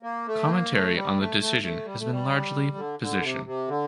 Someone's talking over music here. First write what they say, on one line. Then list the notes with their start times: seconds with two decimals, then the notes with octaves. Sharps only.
Commentary on the decision has been largely position.
0.03 A#3
0.27 A3
0.49 A#3
0.72 A3
0.95 G3
1.18 A3
1.41 A3
1.62 A3
1.85 G3
1.99 A3
2.11 G3
2.76 D3
2.99 D3
3.22 C3
3.45 C3
3.68 D3